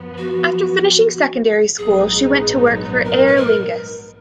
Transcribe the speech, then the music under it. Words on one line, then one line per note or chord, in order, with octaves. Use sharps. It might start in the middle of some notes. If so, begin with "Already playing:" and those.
After finishing secondary school she went to work for Aer Lingus.
Already playing: F#2 F3 B3
F#4
A#1 G#2 F#3 B3 D#4 G#4
A#4
B4
A#4